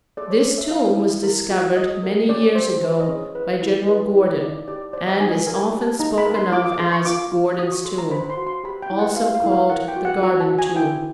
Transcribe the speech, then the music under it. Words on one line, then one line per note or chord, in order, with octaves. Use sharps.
This tomb was discovered many years ago by General Gordon and is often spoken of as Gordon's Tomb, also called the Garden Tomb.
A4 D5
C#5
A4
E5
E4 F5
E4
A#4
F#4
F#4 D#5
A#4
C#4 D5
C5
E4
D#5
C#4
B4
E4
B4
E4
D#4 D5
G4 D5
C5 D5
D#5
D#4 G#5
A#4 G#5
G4
A5
D#4 A#5
B5
A#4
C6
F4 D6
D6
A4 C6
C#6
F4 D6
F4
F#4 D#6
C#6
A4 C6
A#5
C5 B5
C6
F#4
C6
G4 B5
G5
E4
F#5
G4 F5
F5
E4
F5
A#4 F#5
G5
F#4
F#5
F#4 A#5
A5
F#4
G#5
E4 G5